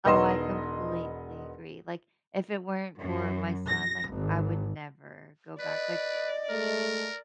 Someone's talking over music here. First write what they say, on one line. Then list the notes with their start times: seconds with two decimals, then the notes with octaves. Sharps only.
Oh, I completely agree. Like, if it weren't for my son, like, I would never go back, like,
0.05 E1 B3 D#4 D#5 C6 E7
2.99 F#2
3.69 A#6
4.13 G#1
5.59 B4 D5 D#5
6.50 G#3 A3 A#4